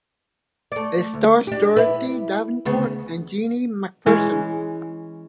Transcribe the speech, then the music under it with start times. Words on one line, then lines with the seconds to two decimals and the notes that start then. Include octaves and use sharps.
It stars Dorothy Davenport and Jeanie Macpherson.
0.72 A3 D5
1.14 D2
1.47 D4 G4
1.76 E4 B4
2.65 D2 C#3 B3
4.06 E3 G#3 C#4